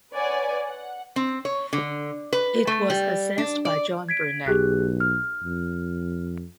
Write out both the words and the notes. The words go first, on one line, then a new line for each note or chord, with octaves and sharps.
It was assessed by John Burnet.
B4 C#5 D5 F#5 G#5
F#5
C4
C#5
D3
B4
A3
G3
D4
D5
G#6 B6 D7
B1 G4 G#4 F#6
F6
F2